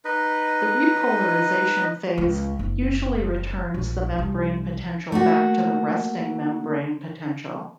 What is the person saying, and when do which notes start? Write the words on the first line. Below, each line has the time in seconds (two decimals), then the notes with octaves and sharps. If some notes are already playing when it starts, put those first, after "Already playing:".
The repolarization phase usually returns the membrane potential back to the resting membrane potential.
0.05 D#4 B4 D#5
2.18 C#2
2.59 F#1
3.74 A#1
4.19 C2
5.12 A3 A#3 F#4